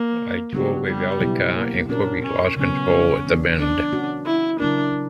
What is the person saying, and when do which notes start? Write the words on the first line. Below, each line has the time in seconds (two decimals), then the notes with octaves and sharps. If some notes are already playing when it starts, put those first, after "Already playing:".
I drove a rally car and quickly lost control at the bend.
Already playing: A#3
0.53 C#3 F#3 G3 B3 D4 G4
0.87 G3
1.20 B2 F#3 B3 E4 G4
1.55 A#3
1.89 A#2 A#3 C#4 D4 F#4 A#4
2.23 C#4
2.56 C#3 F#3 B3 C#4
3.25 E3 B3 D4
3.59 D4
3.93 A#3 C#4 F#4
4.26 E4
4.60 C#3 F#3 A#3 D4 E4 A#4